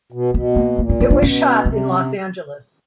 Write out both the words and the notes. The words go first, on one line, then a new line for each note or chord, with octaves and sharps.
It was shot in Los Angeles.
B2
B2 B3
A#3
A#2 A#3
C4
C#4
D4
B2 C#4
C3 C#4